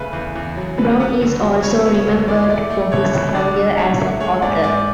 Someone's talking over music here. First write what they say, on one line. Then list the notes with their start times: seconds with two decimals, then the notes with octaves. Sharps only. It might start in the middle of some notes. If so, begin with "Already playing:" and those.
Brown is also remembered for his career as an author.
Already playing: C#3 A3 B4
0.13 E2
0.36 E2
0.57 F#3
0.78 D3 B4
1.00 B3
1.21 D2
1.42 F#3
1.63 C#3 C#5
1.85 B3 C#5
2.07 D2
2.27 E3 D5
2.49 A3 D5
2.70 A3
2.92 B2 C#5
3.13 B2
3.35 D3 D5
3.56 D2
3.77 D2 C#5
3.99 A3
4.20 G#3 C#5
4.42 G#2 D5
4.64 G#2 D5